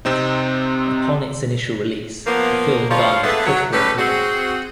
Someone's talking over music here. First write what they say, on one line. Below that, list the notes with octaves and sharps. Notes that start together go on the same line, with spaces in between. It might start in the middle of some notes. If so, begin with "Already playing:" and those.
Upon its initial release, the film garnered critical acclaim.
C3 C4 D#4
F3 A#3 B3
G2 F3 F4 C#5 D5 F5
D3 B3 G#4 A4 B4 E5
F#3
G3 A3 C#4 B4
C4 F#4 G#4